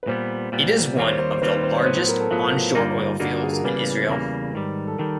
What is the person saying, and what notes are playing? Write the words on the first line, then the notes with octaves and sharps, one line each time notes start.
It is one of the largest on-shore oil fields in Israel.
B4
A#2 G3 B3 C5
A#2 G3 B3
D#2 D#3 G3 C4 F4 C#5
C5
C5
C5
D#2 D#3 G3 C4 F4 B4
C5
C#5
A2 F#3 B3 C5
B4
A#4
A4
A2 F#3 B3 F4
G2 D3 G3 A#3 D#4
G2 D3 G3 A#3 D#4 F#4
G#4
A#4
E2 C#3 E3 G3 A#3 B4
E2 C#3 E3 G3 A#3
G#2 D#3 G3
A4
D#3 G3 A#4